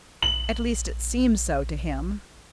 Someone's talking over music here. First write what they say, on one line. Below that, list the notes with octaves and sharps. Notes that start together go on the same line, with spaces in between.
At least, it seemed so to him.
A#1 F#7